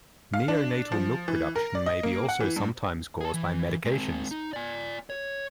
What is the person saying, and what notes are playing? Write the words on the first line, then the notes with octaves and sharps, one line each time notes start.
Neonatal milk production may be also sometimes caused by medications.
F5
D4
F3
E3
A#4
D5
D#5
A#3
F#5
E3
G2
G#4 A5
E3
G#3 C4
D#4
D5 G#5
C#5